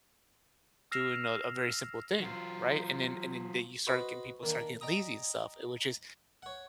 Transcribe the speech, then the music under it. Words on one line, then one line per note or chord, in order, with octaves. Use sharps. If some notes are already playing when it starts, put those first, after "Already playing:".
doing a a very simple thing, right? And then and then they you start getting people start getting lazy and stuff, eh, which is
E6 F6 A#6 C7 E7 F7
F#3 F4
F#4 B4 C5 D#5
D#3 A#3 D4
D5 D#5 G5 A#5 D#6
C#5 F#5